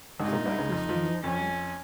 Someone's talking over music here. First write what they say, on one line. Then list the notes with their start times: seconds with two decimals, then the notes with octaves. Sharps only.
"Was it like this when you were married?"
0.20 G#1 G#2 D#4
0.28 C3
0.33 A#1 A#2
0.46 C2 C3
0.58 C#2 C#3
0.72 F2 F3
0.89 F2 F3
1.23 F2 C#4